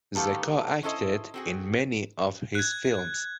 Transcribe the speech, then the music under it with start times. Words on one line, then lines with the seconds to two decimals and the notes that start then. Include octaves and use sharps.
Zecca acted in many of his films.
0.15 D#3 A3 B3 G4 A4 F5
0.83 C#4 D4 E4 A4 C5 D#5
1.34 C4 F#4 G#4
2.55 F#6 G#6